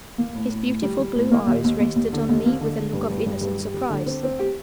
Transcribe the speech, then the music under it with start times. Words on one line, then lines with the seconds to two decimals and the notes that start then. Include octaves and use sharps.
His beautiful blue eyes rested on me with a look of innocent surprise.
0.18 A#3
0.35 A2
0.50 A2
0.66 A2
0.82 G3
0.99 G3
1.15 A2
1.31 A#3
1.47 D#2
1.64 D#2
1.80 D#2
1.96 D#2
2.13 D3
2.29 D#2
2.45 A#3
2.60 D3
2.78 D3
2.93 G2
3.10 G2
3.26 G2
3.41 G2
3.57 G3
3.74 G3
3.90 D3
4.06 C4
4.23 C4
4.39 G4